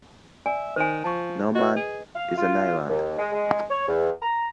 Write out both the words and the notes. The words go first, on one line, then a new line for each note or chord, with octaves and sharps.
No man is an island.
D5 E5 G#5
D#3 C5 G#5
F3 A5 C#6
F#4 B4 D#5
G#4
F5
F4
D#2
G#3
G#3
C#5
E2
A#5